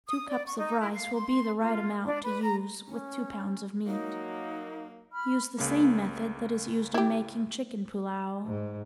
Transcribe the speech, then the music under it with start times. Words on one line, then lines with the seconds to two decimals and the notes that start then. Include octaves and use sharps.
Two cups of rice will be the right amount to use with two pounds of meat. Use the same method that is used in making chicken pullao.
0.07 D#6
0.29 D5
0.45 C#6
0.58 D#4
0.79 E4
0.94 F5
1.13 C6
1.60 F4
2.05 D4
2.24 B4
2.42 A#5
2.86 C#4
3.86 F#3 A#3 D#4
5.12 B5 F6
5.58 C#2 C#3 A#3
6.94 E4 G4
8.46 G#2